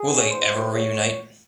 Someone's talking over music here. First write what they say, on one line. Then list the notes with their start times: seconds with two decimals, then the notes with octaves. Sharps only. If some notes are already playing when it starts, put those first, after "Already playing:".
Will they ever reunite?
Already playing: G#4
0.08 E3
0.19 C#5
0.30 E2 C5
0.51 D#3 F#3
0.73 E2 C#5